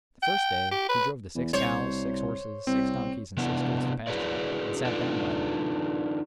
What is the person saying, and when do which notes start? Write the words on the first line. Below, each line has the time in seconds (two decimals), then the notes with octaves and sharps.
The first day, he drove the six cows, six horses, six donkeys, and six goats to pasture, and sat down by them.
0.23 G5
0.71 G4
0.89 B4
1.35 E2
1.53 C2 C5 C#5
2.67 C2 C4
3.37 C3 B3 D4 E4
4.07 E4 F#4 G#4 B4 C#5 D5
4.85 D4 D#4 F4 A4 B4 D5